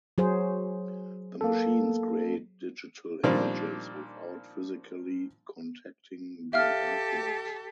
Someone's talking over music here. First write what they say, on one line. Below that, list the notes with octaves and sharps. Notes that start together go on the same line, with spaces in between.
The machines create digital images without physically contacting the artworks.
F#3 G#4 C5
A#3 A4
A#2 D#3 F3 G3 C4 D4
G4 A4 E5 F5 F6